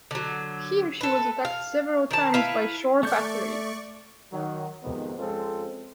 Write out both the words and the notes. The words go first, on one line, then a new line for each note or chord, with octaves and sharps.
Here she was attacked several times by shore batteries.
D3 F#3
A4 B4
F5
D#3 A5
E4 B4 F5
A3 D5 C#6 G6
D#3 F#3
F2 G#2 C3 D#3 B3
F2 G#3 C4 C#4 F4 A4